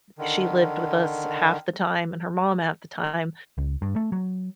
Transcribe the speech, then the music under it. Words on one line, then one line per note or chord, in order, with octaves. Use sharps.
sh she lived with us half the time and her mom half the time,
D3 D#3
C#2
G2
A3
F#3